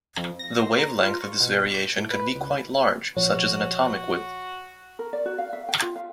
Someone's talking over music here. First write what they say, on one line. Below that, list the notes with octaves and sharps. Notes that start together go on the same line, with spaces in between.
The wavelength of this variation could be quite large such as an atomic width.
F2
A#6
C5
A#5
F4
C#6
B2
G6
A2
B4
C#2
A#1 F3 F#4 C#5
A#4
D5
F#4
F5
E5
G5
F4
F5